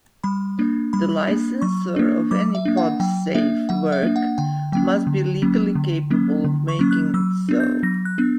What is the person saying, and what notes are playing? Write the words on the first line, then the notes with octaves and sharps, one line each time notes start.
The licensor of any podsafe work must be legally capable of making it so.
G3 B5
A#3 D4
G3 B5
A#3 D4
F#3 C#6
A#3 D4
F#3 D6
E5
A#3 D4
F#5
F#3 G5
A#3 D4 E5
F#3 F#5
E5
A#3 D4
F#5
D3 G5
F#3 A#3 C#4 G5
D3
F#3 A#3 C#4
D3
F#3 A#3 C#4
D3
C#6
F#3 A#3 C#4
F#6
F#3 E6
B3 D4
G6
F#3 A#6
F#6
B3 D4